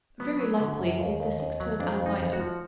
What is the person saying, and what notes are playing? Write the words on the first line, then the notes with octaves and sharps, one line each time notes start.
Very likely it's the six-toed albino.
F#3 B3
F#3
D3
F#2
D#2
D#2
D#2
F#3
F2 D4
F2
D#4
F2
F#4
F3